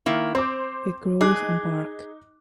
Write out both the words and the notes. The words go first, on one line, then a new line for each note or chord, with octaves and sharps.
It grows on bark.
D#3 A#3 E4
C4 C5 D6
D#4 G#4 D6 F#6